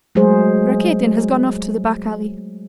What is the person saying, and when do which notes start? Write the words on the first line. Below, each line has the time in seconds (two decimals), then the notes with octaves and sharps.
Rakitin has gone off to the back alley.
0.15 F#3 G#3 A3 G#4 C5